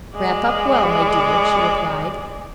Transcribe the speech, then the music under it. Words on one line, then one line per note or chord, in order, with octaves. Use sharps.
"Wrap up well, my dear," she replied.
G#3 D5